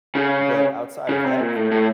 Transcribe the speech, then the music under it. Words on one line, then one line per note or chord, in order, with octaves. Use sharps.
but outside of that,
C#3
C#3
C3
A#2
A2
A2